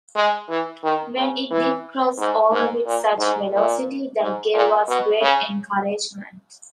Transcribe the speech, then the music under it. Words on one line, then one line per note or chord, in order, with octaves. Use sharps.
When it did cross over with such velocity that gave us great encouragement.
G#3
E3
D#3
C#3
E3
G#2
G#2
A#2
G#2
A#2
G#2
A#2
B2
C#3